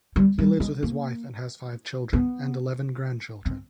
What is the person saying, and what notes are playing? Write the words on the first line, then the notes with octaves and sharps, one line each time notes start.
He lives with his wife and has five children and eleven grandchildren.
G3
G3
G#3
A#3
B3
C4